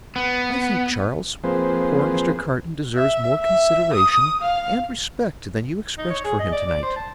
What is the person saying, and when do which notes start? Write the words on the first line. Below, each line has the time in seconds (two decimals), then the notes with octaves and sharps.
"I think, Charles, poor Mr. Carton deserves more consideration and respect than you expressed for him to-night."
0.16 B3
1.44 F3 A#3 C4 G#4 B4 C5
2.95 E5
3.40 E5
3.93 D#6
4.42 F5
5.98 D#4
6.10 C#5
6.24 G#4
6.39 D#5
6.52 D5
6.67 D5
6.83 C5
6.96 A5